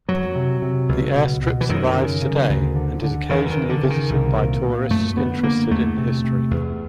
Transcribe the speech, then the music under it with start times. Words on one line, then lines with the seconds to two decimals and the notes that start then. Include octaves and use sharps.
The airstrip survives today, and is occasionally visited by tourists interested in the history.
0.08 F2 F#3
0.35 C3
0.62 C3
0.89 C#2
1.15 B2
1.42 B2
1.61 E3
1.69 F#2 D#3
1.95 C#3
2.22 C#3
2.49 D2
2.76 D3
3.03 D3
3.29 E2 D#3
3.50 D#3
3.57 C#3
3.69 D3
3.83 C#3
3.90 D#3
4.10 C2
4.37 A#2
4.64 A#2
4.90 F#2 A3
5.17 D3 B3
5.43 D3 A#3
5.71 E2 A3
5.97 C3
6.24 C3
6.51 E2